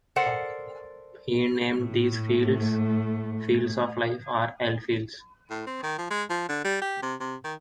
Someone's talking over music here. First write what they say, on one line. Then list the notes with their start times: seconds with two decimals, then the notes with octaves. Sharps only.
He named these fields "fields of life" or L-Fields.
0.16 A4 A#4 C5 D5 F#5
1.75 A2 A3
5.50 A2
5.67 C4
5.83 D#3
5.98 F3
6.10 G#3
6.30 F3
6.49 D3
6.64 G3
6.81 G4
7.02 C3
7.20 C3
7.44 D#3